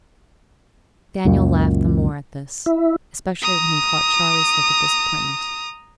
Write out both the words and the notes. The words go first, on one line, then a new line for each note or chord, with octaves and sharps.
Daniel laughed the more at this, especially when he caught Charley's look of disappointment.
C#2 F#2 A#2
E4
A#5 D#6